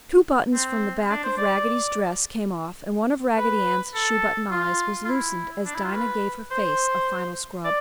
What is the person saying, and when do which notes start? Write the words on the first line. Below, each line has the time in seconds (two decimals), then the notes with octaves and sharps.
Two buttons from the back of Raggedy's dress came off and one of Raggedy Ann's shoe-button eyes was loosened as Dinah gave her face a final scrub.
0.53 C4
1.09 D4
1.24 C5
1.38 D5
3.38 B4
3.94 A4
4.51 F4
5.05 F4
5.08 E4
5.65 D4
5.74 E4
5.84 F4
5.94 B4
6.51 C5
7.65 D5